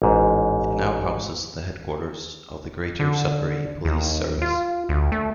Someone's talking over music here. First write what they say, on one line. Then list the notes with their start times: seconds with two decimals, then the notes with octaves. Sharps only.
It now houses the headquarters of the Greater Sudbury Police Service.
0.02 A1 G#2
2.99 D3
3.85 D#2
4.42 F4
4.89 D2
5.12 A3